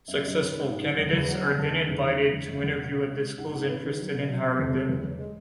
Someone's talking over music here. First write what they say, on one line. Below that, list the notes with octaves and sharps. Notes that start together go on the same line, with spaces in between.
Successful candidates are then invited to interview at the schools interested in hiring them.
F#2 E5
F#2 D#5
D#3 C#5
G#3 B4
G#2
D#3
E2 A4
E2 B4
F#3 F#5
C#3 G#5
E2 A5
D#3 G#5
E2
D#3
G#3
E2
E2 E5
E2 F#5
B2
G#3
G#3
G#3
G#2 F#5
G#2
D#3 B4
D#3 G#4
F#3
B2
F#3
F#3
E2 A4
G#3
E2 B4
E2 C#5
G#3 D#5